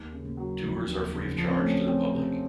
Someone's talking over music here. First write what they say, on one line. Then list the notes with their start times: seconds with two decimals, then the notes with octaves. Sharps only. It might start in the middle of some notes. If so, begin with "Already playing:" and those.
Tours are free of charge to the public.
Already playing: D#2
0.12 C#3
0.25 A#3
0.37 F#3
0.63 F1
0.87 D#2
1.12 C#3
1.37 F3 C#4
1.48 C4
1.59 A3 C#4
1.74 C#4
1.87 C4
2.13 C3